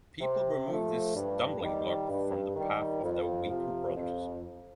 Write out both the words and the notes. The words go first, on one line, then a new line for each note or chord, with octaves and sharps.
People remove this stumbling-block from the path of their weaker brothers.
C3
F3 A3
G2
D#3 G3
G2
D#3 G3
F2
C3 F3
F2